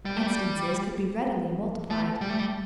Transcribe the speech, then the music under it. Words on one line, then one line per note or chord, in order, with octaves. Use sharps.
Instances could be readily multiplied.
G3
A3
G3
A3
G3
A3
G3